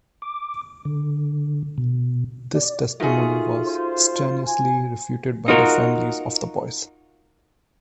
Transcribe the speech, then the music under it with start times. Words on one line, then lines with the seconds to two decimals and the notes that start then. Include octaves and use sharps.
This testimony was strenuously refuted by the families of the boys.
0.22 D6
0.85 D3
1.78 B2
2.55 D5
3.00 A3 D#4 F4 F#4 G#4 A#4
3.67 C5
4.45 G#5
5.48 D#4 F4 F#4 A#4